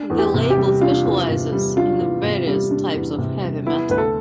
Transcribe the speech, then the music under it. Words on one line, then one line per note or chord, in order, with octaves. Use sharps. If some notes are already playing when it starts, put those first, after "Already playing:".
The label specializes in various types of heavy metal.
Already playing: D4
E2
G4
C3
G4
G3
D4 F4
E2
C3
G3
D4 F4
E2
C3
G3
D4
E2
C3
G3
B3 E4
D2 B4
A4